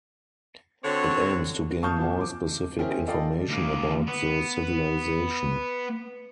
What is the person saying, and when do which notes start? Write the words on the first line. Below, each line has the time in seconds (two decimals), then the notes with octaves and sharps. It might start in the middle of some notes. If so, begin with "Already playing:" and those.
It aims to gain more specific information about the civilization.
0.84 D3 C4 F#4 C#5
1.82 F5 A5 C#6 D#6 F6 G6
1.97 D#1 B2 F3 A5
2.21 D6
2.78 C4 C#4 E4 G#4 A#4 G5
3.07 F4 A4 D5 D#5 F5 G5
3.48 D2 A#3
4.07 B3